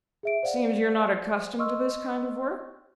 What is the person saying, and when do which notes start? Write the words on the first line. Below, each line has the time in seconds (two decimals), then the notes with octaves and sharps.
Seems you're not accustomed to this kind of work?'
0.23 G#4 E5 D7
0.43 C5 D5 F5 F#5
1.58 D#5 C6 C#6 E6 F6